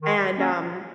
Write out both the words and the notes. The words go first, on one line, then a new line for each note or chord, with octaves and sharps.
and, um,
D#3
A#3 C#4